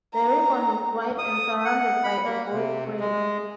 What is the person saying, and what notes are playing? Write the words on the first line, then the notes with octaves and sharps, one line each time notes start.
The ribbon is wide and surrounded by a gold frame.
A#5
D#6
F#5
B5
A#3
C3
G#3